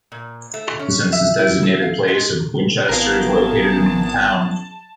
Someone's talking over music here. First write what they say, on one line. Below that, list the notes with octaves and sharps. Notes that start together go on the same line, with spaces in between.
The census-designated place of Winchester is located in the town.
A#2
A3
C#4
E5
E4
A4
F5
G#3
G#1 E3 B3 G#4 A#4 F5 A5